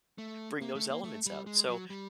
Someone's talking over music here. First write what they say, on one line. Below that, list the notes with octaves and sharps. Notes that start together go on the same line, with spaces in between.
bring those elements out. So
A3
A#3
A3
A#3
A3
G3
G#3
F#3
G3